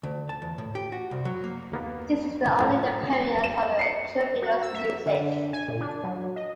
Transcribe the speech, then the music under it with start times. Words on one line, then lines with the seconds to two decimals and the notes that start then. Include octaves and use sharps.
This is the only appearance of Cherubino's music.
0.03 D2
0.29 A5
0.42 E2
0.58 A2
0.75 G4
0.92 F#4
1.11 C2
1.25 F#3
1.44 A#3
1.72 D#2 A#3 B3 A#5
2.60 A2 F3 D4
3.44 E7
3.79 C7 C#7
4.42 F#4
4.63 E6
4.75 E5
5.06 D3
5.53 G#5
5.68 A#2
5.81 D4
6.04 F#3
6.36 D#5